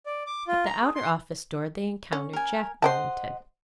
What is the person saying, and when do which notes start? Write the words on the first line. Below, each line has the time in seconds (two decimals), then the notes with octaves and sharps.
At the outer office door they encountered Jack Wilmington.
0.06 D5
0.27 D6
0.48 F4
0.65 A#5
0.82 G#4
0.95 C6
2.12 C#4
2.33 A#4 G#5
2.82 C5 D#5 F#5 G5 A5 C6